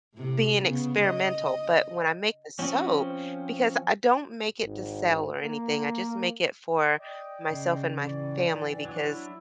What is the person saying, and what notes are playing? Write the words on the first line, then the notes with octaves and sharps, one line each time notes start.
being experimental. But when I make the soap, because I don't make it to sell or anything, I just make it for myself and my family because
A2 C3
C#3 B3
D#5
F3 C4 C#4
G#1
A#3
D5 D#5 G5
C#3
A2 E3 D5
F#3 D4
E4